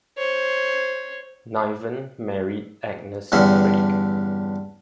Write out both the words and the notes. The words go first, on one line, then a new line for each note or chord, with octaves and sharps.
Niven married Agnes Craig.
C5 C#5
E2 G2 D3 C#4 E5 C6